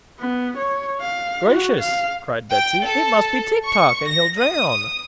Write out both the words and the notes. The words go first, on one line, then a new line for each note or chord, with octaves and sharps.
"Gracious!" cried Betsy; "it must be Tik-Tok, and he'll drown."
B3
C#5
F5
F#4
F5
G5
A4
C#6
A#6
D#6